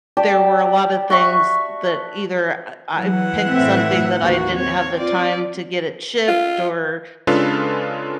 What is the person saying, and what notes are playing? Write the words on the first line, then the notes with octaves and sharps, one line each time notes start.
there were a lot of things that either I I picked something that I didn't have the time to get it shipped or
G4 D5 A5
F#4 E5 C#6
E3 F#3 F#5
A2 C4 E5
D#2 A#3 F#4
C4 C#5
F4 D5
F4
C#3 G#3 D4 F4 A4 B4